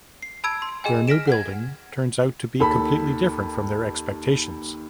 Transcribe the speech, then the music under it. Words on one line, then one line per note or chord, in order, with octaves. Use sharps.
Their new building turns out to be completely different from their expectations.
C7
A5 B5 E6 G#6 D7
C6
G#4 D#5 G5 G#5
F6 A#6 B6 D7 E7
F#5 G#6
D#2 A4 B5